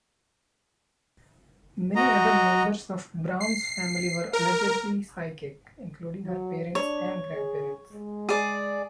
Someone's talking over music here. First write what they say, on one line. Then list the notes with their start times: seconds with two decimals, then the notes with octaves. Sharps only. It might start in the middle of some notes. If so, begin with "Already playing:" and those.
Many other members of Brown's family were allegedly psychic, including her parents and grandparents.
1.96 F#4 D#5 A#5
3.40 C7
4.33 A#4
6.27 F#3
6.75 D4 C#5
7.34 G#4
7.92 G#3
8.29 G#4 D5